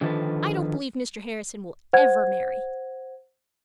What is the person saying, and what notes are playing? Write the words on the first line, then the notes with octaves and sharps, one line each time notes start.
I don't believe Mr. Harrison will ever marry.
D3 D#3 F3 F#4 A4 B4
C5 F#5 G#6